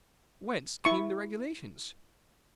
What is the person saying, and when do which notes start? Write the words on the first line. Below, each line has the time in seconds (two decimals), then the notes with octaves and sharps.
Whence came the regulations?
0.85 E4 C#6